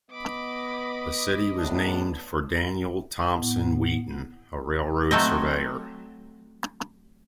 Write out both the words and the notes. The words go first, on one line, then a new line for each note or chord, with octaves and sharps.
The city was named for Daniel Thompson Wheaton, a railroad surveyor.
B3 D#5 B5 D6
E2 A2 D4
A2 B3
F#3 A3 C4 D#5